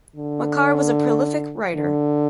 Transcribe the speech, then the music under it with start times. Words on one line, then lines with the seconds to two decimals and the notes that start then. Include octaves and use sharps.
Machar was a prolific writer.
0.16 D3
1.75 D3